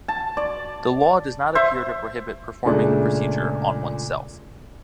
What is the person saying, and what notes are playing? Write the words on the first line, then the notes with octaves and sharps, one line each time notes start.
The law does not appear to prohibit performing the procedure on one's self.
A5
D5
C5 E5
A#2 C#3 G#3 A3 D4